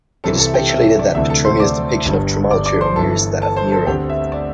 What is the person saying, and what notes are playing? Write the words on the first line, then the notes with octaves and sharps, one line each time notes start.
It is speculated that Petronius' depiction of Trimalchio mirrors that of Nero.
C2 C3 E3 C4 A4 A5
A4 A5
E5
G4 G5
E5
E5
D5
D2 C3 E3 A3 D4 E5
A4 A5
C5 C6
D5 D6
G1 G2 G3 D4
D5 D6
D5 D6
C5 C6
G1 G2 E3 A4 A5
A4 A5
C5 C6
A4 A5
D2 D3 C4 G4 G5
E5
D5